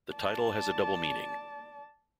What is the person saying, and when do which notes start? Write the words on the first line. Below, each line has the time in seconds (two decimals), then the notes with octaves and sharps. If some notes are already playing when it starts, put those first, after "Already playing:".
The title has a double meaning.
0.13 D5 A5